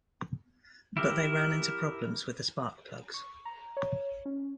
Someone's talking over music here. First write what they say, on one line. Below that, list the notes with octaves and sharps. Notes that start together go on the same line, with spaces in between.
But they ran into problems with the spark plugs.
E4 G4 A#4
C#6
A#5
C#5
C#4